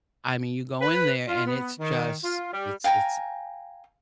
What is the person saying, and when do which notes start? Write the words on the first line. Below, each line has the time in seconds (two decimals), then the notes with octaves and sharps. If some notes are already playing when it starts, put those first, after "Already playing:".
I mean, you go in there and it's just it's it's,
0.81 B4
1.28 F4
1.46 B3
1.78 D#3
2.23 F4
2.52 G3
2.84 F5 G5 G#5 A#5